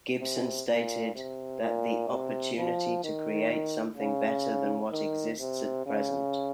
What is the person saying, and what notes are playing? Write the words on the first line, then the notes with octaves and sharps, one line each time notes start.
Gibson stated that "the opportunity to create something better than what exists at present".
C3
A#2
C3
A#2
C3
F3
D#3
C#3
D#3
C3
C#3